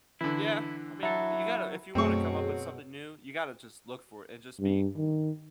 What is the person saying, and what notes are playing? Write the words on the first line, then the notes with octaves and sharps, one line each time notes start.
Yeah, I mean, y you gotta if you wanna come up with something new, you gotta just look for it and just be
D3 E3 E4
F#3 E4 A4
F#2 B2 F#3 A3 C4 G#4 C#6
G2
D#3